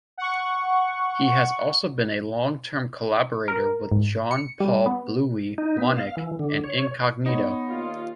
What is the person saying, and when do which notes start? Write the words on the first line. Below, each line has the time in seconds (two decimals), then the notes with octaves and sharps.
He has also been a long-term collaborator with Jean-Paul 'Bluey' Maunick and Incognito.
0.18 F#5 C#6
3.48 A#4
3.92 G#2
4.31 C#7
4.60 G3
4.86 B3
5.58 D#4
5.77 B3
5.97 F5
6.17 E3
6.39 D3
6.64 C#5
7.26 B3 D#4 C#5
7.68 D#2 A#2 F4